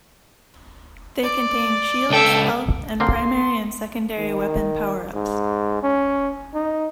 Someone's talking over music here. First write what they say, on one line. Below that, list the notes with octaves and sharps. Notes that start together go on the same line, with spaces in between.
They contain shields, health and primary and secondary weapon power-ups.
D5
C#2 A4 E5 G5
D3 A#3 C4 C6
D#3
G#2
C#4
D#4